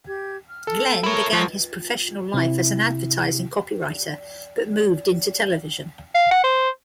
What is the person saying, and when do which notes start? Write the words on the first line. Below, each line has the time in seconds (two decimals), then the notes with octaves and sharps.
Glen began his professional life as an advertising copywriter but moved into television.
0.08 G4 G#6
0.49 F6
0.67 A4
1.03 E4 A#4 C#5 A5
1.33 F3 F#3 A4 F#5 C6
2.34 C3 E4
6.15 F5
6.31 F#5
6.44 C5